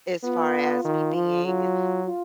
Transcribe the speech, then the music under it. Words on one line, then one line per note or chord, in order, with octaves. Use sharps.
as far as me being,
B3 F4
D#3
F3
F#3 F4
F4